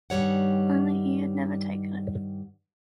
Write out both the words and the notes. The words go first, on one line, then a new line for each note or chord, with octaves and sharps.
Only he had never taken it.
G2 D#3 G3 C#5 F#5